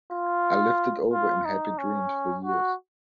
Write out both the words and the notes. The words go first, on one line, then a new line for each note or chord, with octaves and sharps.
I lived it over in happy dreams for years.
F4
F4
D#4
C#4
F#4